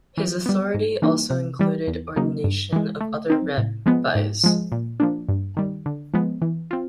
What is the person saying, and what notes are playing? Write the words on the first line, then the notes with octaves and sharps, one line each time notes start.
His authority also included ordination of other rabbis.
E3
G3 B3
G#2
E3 G3 A#3 D#4
C3
E3 G3
E2
C#3 F#3 A#3 D#4
G2
E3 G#3
A3
C4 D#4
A2
F3 G#3 B3
G#2
F3 G#3
A#2
F3 A#3 D4
G2
D#3 G3
D3
F3 G#3 B3
E3
C4 F4